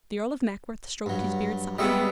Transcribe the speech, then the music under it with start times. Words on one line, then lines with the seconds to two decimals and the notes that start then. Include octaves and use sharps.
The Earl of Mackworth stroked his beard softly.
1.06 G2 F#3
1.78 G3 G#3 B3 D#5 E5 C#6